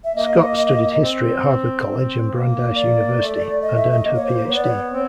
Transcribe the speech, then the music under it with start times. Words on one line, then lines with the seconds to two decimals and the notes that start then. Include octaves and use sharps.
Scott studied history at Harvard College and Brandeis University, and earned her PhD.
0.04 E5
0.15 A#3 D#5
1.01 C4
1.88 C4
2.32 A#3
2.75 D5
3.19 A3
3.62 D#5
3.76 E5
3.91 D#5
4.05 A#3
4.16 C#5
4.27 C5
4.38 C5
4.48 B3 C#5
4.56 D5
4.64 C#5
4.92 C4